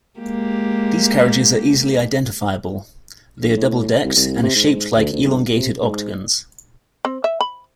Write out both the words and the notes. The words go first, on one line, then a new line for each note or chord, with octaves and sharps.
These carriages are easily identifiable; they are double-decked and are shaped like elongated octagons.
G#3 A#3 G4
A#1
A2
C2
C2
C3
G#2
D2
D2
G1
C3
G#2
C4
E5
B5